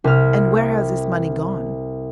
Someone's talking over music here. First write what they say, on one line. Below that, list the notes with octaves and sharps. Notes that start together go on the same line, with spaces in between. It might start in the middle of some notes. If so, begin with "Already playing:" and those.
"And where has this money gone?"
C2 F6